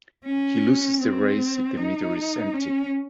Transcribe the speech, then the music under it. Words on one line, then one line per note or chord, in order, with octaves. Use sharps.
He loses the race if the meter is empty.
C#4
C4
D#4
C#4